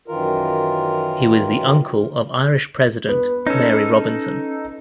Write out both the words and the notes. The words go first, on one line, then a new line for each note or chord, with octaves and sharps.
He was the uncle of Irish president Mary Robinson.
F#2 D#3 E3 F4 A#4
B3
C#4 D#4 A4